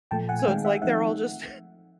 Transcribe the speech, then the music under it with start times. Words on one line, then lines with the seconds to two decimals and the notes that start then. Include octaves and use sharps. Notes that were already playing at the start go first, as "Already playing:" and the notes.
So it's like they're all just
0.11 A#2 F3 A3 G5 A5
0.29 F#5 G#5
0.39 G#5
0.47 D#3 G#3 C4 F5 G5
0.65 E5 F#5
0.82 F3 A3 C4 D#4 E5 F#5